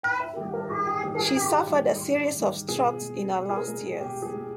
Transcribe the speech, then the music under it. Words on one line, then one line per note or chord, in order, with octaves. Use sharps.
She suffered a series of strokes in her last years.
G#2 G5
E5
D#3 G3 G4
A#4
G#2 G#4
G4
D#3 G3 G#4
A#4
G#4
G#2 G4
D#3 G3
G#2
D#3 G3
B2 G#4
G#3
B2
G#4
A#4
G#3
B2 G4
G#4
G#3